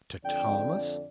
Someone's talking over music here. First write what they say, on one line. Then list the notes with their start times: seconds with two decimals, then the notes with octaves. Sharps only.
To Thomas!
0.25 F2 D3 D5 G5